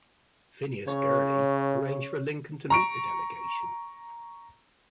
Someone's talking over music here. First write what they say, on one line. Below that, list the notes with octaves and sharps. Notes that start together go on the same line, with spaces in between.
Phineas Gurley, arranged for Lincoln to meet the delegation.
C#3 C#5 C#6
A#5 C#6 D7